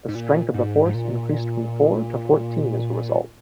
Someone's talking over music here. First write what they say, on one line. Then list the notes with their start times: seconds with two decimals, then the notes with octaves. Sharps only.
The strength of the force increased from four to fourteen as a result.
0.08 G#2
0.15 A#2
0.54 G#2
0.85 G#2
0.94 A#2